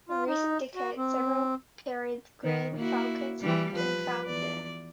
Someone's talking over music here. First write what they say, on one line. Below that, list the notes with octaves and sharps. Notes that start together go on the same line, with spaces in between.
In recent decades, several peregrine falcons have been found there.
F4
D#4
F#4
C4
D#3 B3
A#3 E4 F#4
E3 G3
F3 B4
E2 D5